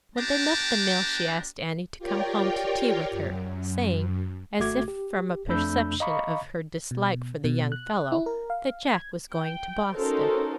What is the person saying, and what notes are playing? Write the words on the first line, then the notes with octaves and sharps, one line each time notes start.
When they left the mill she asked Annie to come home to tea with her, saying, as if from a perception of her dislike for the young fellow, that Jack was going to Boston.
B3 D4 G4 G5 A5 A#5
F4 G4 A#4 C#5 D5 G5
F#2
G#1 A3 F#4 D6 G#6
G4
F2 A3 D4 B5 E6 G6
D#5 F5 A#5 B5 C#6 D6
B2
B2
F#6
E4
A#4
F5
G#6
G5
C#4 D#4 F#4 A4 A#4 C5